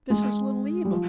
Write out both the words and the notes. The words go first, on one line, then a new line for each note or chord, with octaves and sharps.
"This is Little Eva."
G#3
G3
F3